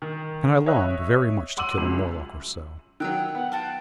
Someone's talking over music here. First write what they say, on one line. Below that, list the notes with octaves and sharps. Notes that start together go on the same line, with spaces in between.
And I longed very much to kill a Morlock or so.
D#3
C#5 D#5 E5 F#6
F#5 C6 D6 E6 D#7 F#7
C#2 F#2
D#3 F#3 G5 E6 F#6
B3 F#5
F4 F#4 G5 A5